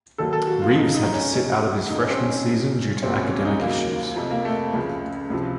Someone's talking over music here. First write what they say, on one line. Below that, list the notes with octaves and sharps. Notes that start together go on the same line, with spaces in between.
Reeves had to sit out his freshman season due to academic issues.
D#2 D#3 F#3 A4
A4
F#4
F4
C#2 C#3 F3 D#4
D#4
D#4
C#4
F2 C3 F#3 C#4
F2 C#3 F3 D#4
C#4
C4
C#4
A2 F#3
C2 A#2 F#3 C4
C#4
C#4
D#4
D#2 C#3 F#3 A#3
F2 C3 F3
A#3
A3
C#2 C#3 F3
C#2 C3 F3